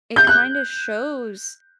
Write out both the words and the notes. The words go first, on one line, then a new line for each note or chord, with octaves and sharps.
it kinda shows
G6
F#6